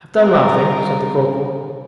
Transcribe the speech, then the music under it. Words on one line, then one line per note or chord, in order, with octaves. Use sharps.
'Have done laughing!' said the corporal.
G3 C4 F4 A#4